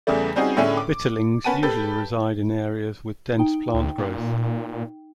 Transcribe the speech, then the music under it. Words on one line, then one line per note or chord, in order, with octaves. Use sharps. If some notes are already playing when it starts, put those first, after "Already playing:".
Bitterlings usually reside in areas with dense plant growth.
E2 C#3 E3 G3 A3
G3 C4 C#4 D#4 F#4 G#4
A2 D3 A3 C#4 E4 G#4
D6
C#4 B4 F#5 A5 D#7
G4 A4 B4
D#4 G5
D2
A#2